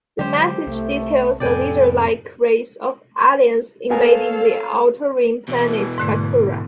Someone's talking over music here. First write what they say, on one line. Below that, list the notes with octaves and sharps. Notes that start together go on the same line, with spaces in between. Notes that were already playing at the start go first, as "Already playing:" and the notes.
The message details a lizardlike race of aliens invading the Outer Rim planet Bakura.
D3 F#3 G#3 G4 C5
C2 A3
F2 A2 C3 A4 D5 G5 G#5
B3 A4 A#4 C#5 F5 G#5
B2 E3
G#2 D3 A3